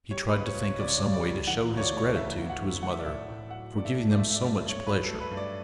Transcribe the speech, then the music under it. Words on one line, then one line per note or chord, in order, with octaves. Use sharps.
He tried to think of some way to show his gratitude to his mother for giving them so much pleasure.
G3 C#5
B4
C#2
C#5
C#2
C#5
C#3 D5
C#5
D5
G3
D5
C#2
E3 F#5
D2
C#5
D5
A3
C#5
C#3 E5
E3
F#5
D2
A3 F#5
E5
D5
A2 E5
A2
F#3 F#5
A3 D5
E5
A2
D5
A3 E5
E5
D5
G2
E5
G2
C#5
F#3 B4
A4
A3
B4
G2
D5